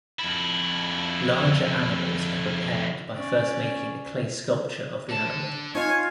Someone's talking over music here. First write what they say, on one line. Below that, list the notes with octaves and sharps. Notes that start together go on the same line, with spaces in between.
Larger animals are prepared by first making a clay sculpture of the animal.
F2 E4
C#4 D5
D3 A5
D#4 F4 C#5 G#5